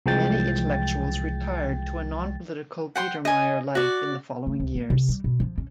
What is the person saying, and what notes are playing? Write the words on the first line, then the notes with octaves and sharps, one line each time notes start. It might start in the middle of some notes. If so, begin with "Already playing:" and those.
Many intellectuals retired to a non-political Biedermeier life in the following years.
C2 E3 F3 G#3 G5 A6
F#5 G5 C6
D#5 G#5
F#4 D5
A3
C#2
A3
C3
G3
B2
F3
C#4